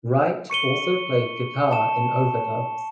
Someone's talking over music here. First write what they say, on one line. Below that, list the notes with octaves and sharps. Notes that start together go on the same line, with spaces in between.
Wright also played guitar in overdubs.
C#6 C#7 D#7 G7
A5 E7